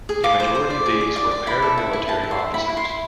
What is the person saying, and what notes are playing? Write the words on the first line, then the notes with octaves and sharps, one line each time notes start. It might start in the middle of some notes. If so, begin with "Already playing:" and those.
A majority of these were paramilitary officers.
G#4
F4 D6
C5
C5
D5
G#4
G#4
D5 D6
D5
E4 B5
A4
E4
E4
E4 A5
A4
C6
E4
E4 B5
E4
C6
E4